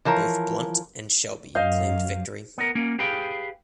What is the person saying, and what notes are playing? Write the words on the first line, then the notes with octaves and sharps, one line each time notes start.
Both Blunt and Shelby claimed victory.
E3 F3 A#4 C#5
F#2 D#5 F5 G6
B3 A#4
A#3 C#4
G4 G#4 B4 F5 G5